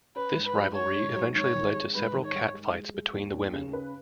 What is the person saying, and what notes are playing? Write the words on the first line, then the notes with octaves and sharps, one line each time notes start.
This rivalry eventually led to several catfights between the women.
C#4 B4
G#2
B4
F#3
C#4 C#5
G#2
F#3
G#1 C#5
D#3
G#3
G#2 B4
D#3
C#5
G#2
G#3
G#3
G#3
D#2
D#2
C#3
B4